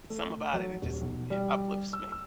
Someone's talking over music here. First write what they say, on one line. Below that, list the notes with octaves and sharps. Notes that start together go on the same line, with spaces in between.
It's something about it, it just, eh, uplifts me.
A3
F#3
D#1
B1
G3
E6
E6